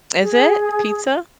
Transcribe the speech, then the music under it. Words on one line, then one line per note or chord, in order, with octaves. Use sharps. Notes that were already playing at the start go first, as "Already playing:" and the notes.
Is it, pizza?
G#4